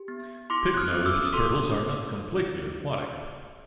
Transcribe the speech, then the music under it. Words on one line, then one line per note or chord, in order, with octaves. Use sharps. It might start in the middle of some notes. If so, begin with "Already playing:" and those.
Pig-nosed turtles are not completely aquatic.
Already playing: G4
B3
E4 C6 D6
F#6
D#6 F6
B3
D6 E6
E6
D#6
A4 C6 D6